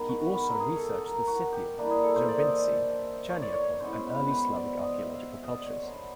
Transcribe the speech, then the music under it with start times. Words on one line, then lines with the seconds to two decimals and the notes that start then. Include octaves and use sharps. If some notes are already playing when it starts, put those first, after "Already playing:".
He also researched the Scythian, Zarubintsy, Chernyakhov and early Slavic archaeological cultures.
Already playing: D#3 G#3 B3
0.09 F#4
0.26 B4
0.43 A#4
0.60 G#4
0.76 A4
1.02 A#4
1.27 F#4
1.53 G4
1.78 E3 G3 A#3 D4
1.91 G#4
2.03 A4
2.16 C5
2.28 D5
2.39 D#5
2.49 D5
3.30 C#5
3.42 D5
3.53 C#5
3.80 B2 G#3 C#4 E4 C5
4.06 B4
4.26 B4
4.31 C5
4.56 D5
4.81 D#5
4.98 E5
5.15 F5
5.32 E5
5.44 D#5
5.49 D5
5.66 C#5
5.83 F#3 B3 D4 C5